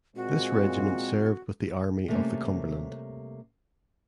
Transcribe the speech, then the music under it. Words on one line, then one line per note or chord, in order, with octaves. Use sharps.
This regiment served with the Army of the Cumberland.
A#2 G#3 C4 F#4
C3 G3 A3 A#3 C#4